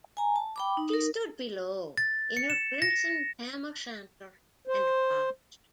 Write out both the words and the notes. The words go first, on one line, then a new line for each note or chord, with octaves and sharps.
She stood below in her crimson tam-o’-shanter and watched.
G#5 A#5
A5
G5 B5 D6
D#4
D#4 A#4
A6
C#7
E7
A#6
C5